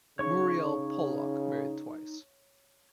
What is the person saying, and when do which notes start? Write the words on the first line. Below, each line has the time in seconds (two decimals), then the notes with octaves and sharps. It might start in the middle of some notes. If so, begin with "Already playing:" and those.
Muriel Pollock married twice.
0.19 C#3 D#4 C#5 C#6